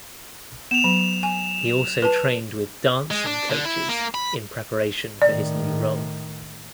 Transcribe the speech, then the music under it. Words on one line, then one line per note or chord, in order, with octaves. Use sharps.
He also trained with dancing coaches in preparation for his new role.
B3 E7 F7
F#3
G#5
B4 A5
G#3
D4
D3
E4
A#3
B5
A2 D#3 D5